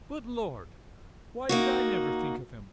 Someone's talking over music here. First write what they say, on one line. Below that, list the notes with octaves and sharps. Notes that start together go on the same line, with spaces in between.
Good Lord!--why did I never think of him?
A#3 D#4 F#4